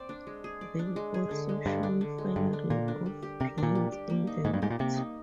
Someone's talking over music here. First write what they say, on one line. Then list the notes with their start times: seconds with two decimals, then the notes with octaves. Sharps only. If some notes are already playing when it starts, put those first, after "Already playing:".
They're also shown firing off rounds in the woods.
Already playing: C4 C5 D5
0.09 D4
0.27 G#3
0.44 G#4
0.61 D5
0.79 D4
0.96 G#3
1.14 G#4
1.31 D3
1.49 G#3
1.66 G2 D3
1.83 D4
2.01 D3
2.18 G#3
2.36 G2 D3
2.53 D4
2.70 A#2 A#4
2.88 D4
3.06 G3
3.23 G4
3.40 C3 A#4
3.58 D4
3.63 A#2
3.75 G3
3.92 G4
4.10 A#3
4.27 D#4
4.44 G#2 A#3
4.53 G2
4.62 G#2 G4
4.70 A#2
4.79 C3 A#3
4.97 D#4